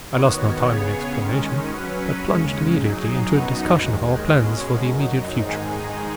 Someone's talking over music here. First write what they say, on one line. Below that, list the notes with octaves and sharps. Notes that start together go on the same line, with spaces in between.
I lost no time in explanation, but plunged immediately into a discussion of our plans for the immediate future.
D#3 B3 F#4 C#5
C#3 B3 G#4 C#5
D#3 G#3 C#4
F#3 C#4 B4
D#2 C#3 G#3 C#4
F#3 D#4 G#4
F#2 F#3 B3 D#4 F#4
D#2 D#3 G#3
B2 G#3 C#4
F#2 F#3 D#4
G#2 D#3 G#3 D#4 G#4